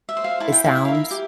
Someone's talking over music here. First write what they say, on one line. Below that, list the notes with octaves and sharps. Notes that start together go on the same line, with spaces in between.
it sounds
E5
C5
F5
E4 A5
G5
E4 F5
E5
A#4 F5
E5
G4